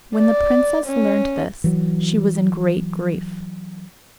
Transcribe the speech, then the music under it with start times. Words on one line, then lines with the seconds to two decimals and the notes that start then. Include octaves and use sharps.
When the princess learnt this she was in great grief.
0.18 D5
0.86 C#4
1.64 E3 F#3